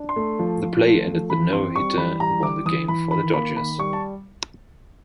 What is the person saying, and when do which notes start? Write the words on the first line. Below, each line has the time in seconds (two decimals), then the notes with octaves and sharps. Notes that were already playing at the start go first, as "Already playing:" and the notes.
The play ended the no-hitter and won the game for the Dodgers.
Already playing: D4
0.09 C6
0.16 A3
0.39 F3
0.62 F3
0.84 A3
1.07 F3
1.30 E3 B5
1.52 C4 C6
1.75 G3 C#6
1.98 E3 B5
2.20 G3 A#5
2.43 E3 D6
2.65 E3 D#6
2.88 E3 B5
3.11 D#3 B5
3.34 A#3 B5
3.57 D#3 B5
3.79 G3 C#6
3.93 A5